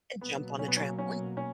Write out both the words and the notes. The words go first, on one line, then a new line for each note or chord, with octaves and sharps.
and jump on the trampoline,
B2 F#3 A#3 B3
C#4
B3
C#4
C#4
C#4